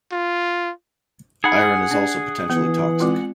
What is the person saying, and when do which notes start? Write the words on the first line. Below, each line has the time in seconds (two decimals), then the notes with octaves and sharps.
Iron is also potentially toxic.
0.12 F4
1.44 D#4 G#4 F#5 B5
1.91 D4 D5
2.50 E3 B3
3.00 G#3 C4 F4